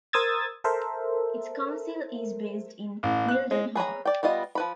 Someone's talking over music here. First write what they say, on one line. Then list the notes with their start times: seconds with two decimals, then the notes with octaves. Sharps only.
Its council is based in Mildenhall.
0.13 A#4 C5 D#6 E6 G#6 A6
0.64 A4 A#4 C5 E5
3.03 A1
3.28 F#6
3.51 G#3
3.75 G#4 B4 C#5 A#5
4.05 D5 G5
4.23 G3 B3 F4 D#5
4.55 F3 B4 B5